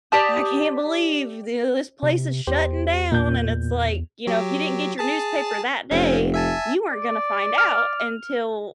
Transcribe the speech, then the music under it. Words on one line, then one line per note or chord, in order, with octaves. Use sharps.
I can't believe this place is shutting down," and it's like, you know, if you didn't get your newspaper that day, you weren't gonna find out until
G4 D5 A5 D#6
C3
E2 G4 C5
A#2 G6
F#3 G4
G#4 A5 A6
F1 C4 C#4
E5 G#5 A5
D5
F6